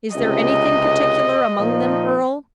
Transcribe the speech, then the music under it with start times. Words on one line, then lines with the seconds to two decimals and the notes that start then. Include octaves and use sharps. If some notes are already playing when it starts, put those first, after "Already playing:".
"Is there anything particular among them, Earle?"
0.16 C#2 C3 D#5
1.59 A#2 D#3 F3